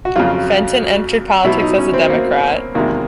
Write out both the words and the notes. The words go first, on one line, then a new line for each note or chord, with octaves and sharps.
Fenton entered politics as a Democrat.
F#4
F2 C#3 F#3 F4
B2 F#3 E4
D#4
C#4
C4
A#3
E2 C3 D#3 G#3 A#3